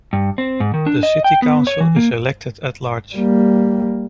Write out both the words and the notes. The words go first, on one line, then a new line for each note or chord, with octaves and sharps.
The city council is elected at-large.
G2
C4
G#2
D#3
D4
D#5
G5
B3
C#5
E3
A#3
G3 A#3